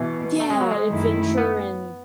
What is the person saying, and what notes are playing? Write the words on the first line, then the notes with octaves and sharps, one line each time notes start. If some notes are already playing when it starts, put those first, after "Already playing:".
Yeah, adventure, and,
Already playing: B2 E3
A3
G#3
F#3
G#3
F#2 D#3 A3 E4
B3